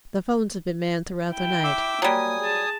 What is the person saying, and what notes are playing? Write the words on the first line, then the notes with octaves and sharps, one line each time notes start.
The phones had been manned throughout the night.
E4 G5
E5 D6 E6
F#3 G3 A#3 G#5 D#6
G#4 A5